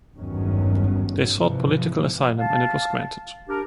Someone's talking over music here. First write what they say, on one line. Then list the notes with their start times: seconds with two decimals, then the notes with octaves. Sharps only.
They sought political asylum and it was granted.
0.17 G#1 E2 G2 D#3 F#3 C#4
1.35 G#2 C3 E3 F3
2.39 F5 A5
3.48 D4 G4 A#4